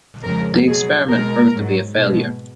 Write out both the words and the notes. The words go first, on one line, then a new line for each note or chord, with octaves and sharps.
The experiment proved to be a failure.
F2 C#3 G#3 A#4
B2 F#3 G#4
B2 G#3 A#4
G#2 F#3
B2 G#3